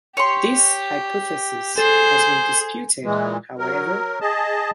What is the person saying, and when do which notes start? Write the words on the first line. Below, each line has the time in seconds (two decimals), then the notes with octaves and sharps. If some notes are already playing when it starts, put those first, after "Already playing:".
This hypothesis has been disputed, however.
0.17 G4 C#5 C6
1.78 G#4 A4 C5
3.04 A#2 E3 G#3
3.59 F#3 A#4
4.21 G#4 D#5 A5